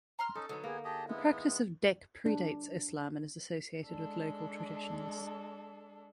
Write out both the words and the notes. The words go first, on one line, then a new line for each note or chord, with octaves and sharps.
The practice of deq predates Islam and is associated with local traditions.
A#5 C6 F6
C#4 D#4 A4
D3 F#3 B3 D#4
A#3 B3 G#4
G4 G#4 D#5 A5
G#3 B3 E4
D4
G#3 D4 A4